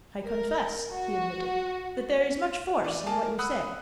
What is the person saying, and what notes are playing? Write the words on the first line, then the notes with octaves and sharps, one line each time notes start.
"I confess," he admitted, "that there is much force in what you say."
A#4
F#4
E3 D5
A#3 G#4 A5
A#4
F#5 B5 D#6 E6 F#6